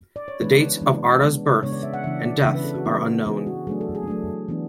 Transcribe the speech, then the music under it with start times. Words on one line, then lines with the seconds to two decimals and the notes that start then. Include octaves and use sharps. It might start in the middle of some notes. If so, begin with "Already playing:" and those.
The dates of Arda's birth and death are unknown.
0.16 D5
0.28 C#5
0.40 E3 G#3 B3 D4 B4
0.82 E3 G#3 B3 D4
1.22 C#3 G#3 B3 D4
1.63 C#3 G#3 B3 D4 C#5
1.73 D5
1.83 E5
1.94 F#5
2.04 C#3 E3 B3 D4 E5
2.24 D5
2.45 C#3 E3 B3 D4 E5
2.55 B4
2.65 A4
2.75 F#4
2.85 E3 B3 D4 E4
3.26 E3 B3 D4 G#4
3.47 F#4
3.67 F#3 A3 D4 G#4
3.81 A4
3.95 G#4
4.08 F#3 A3 D4
4.48 E3 B3 D4